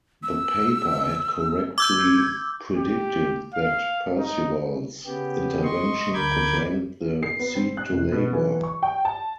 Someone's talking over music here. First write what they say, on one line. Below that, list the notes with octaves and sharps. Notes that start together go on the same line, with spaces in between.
The paper had correctly predicted that Percival's intervention could hand the seat to Labour.
E6
D6 E6 G6 G#6
G4
F5
D#4
C#3 B3 G4
D#5 C6 C#6
D2 A#4 B5 D6 G6 G#6
C7
B3
C4
F#6
F1
B2
E3
C#6
G5
A5